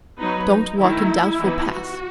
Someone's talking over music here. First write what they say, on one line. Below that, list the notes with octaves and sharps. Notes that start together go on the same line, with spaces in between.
Don't walk in doubtful paths.
F#3 B3 D#4 B4
D#4
D#3 A3 D#4 E4
E3 B3 D#4
F#4